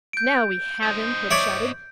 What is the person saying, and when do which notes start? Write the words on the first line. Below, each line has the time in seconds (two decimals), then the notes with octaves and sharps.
"Now we have him," Hook shouted.
0.13 G6 D7
0.83 C5 D#5
1.31 C#5 D5 E5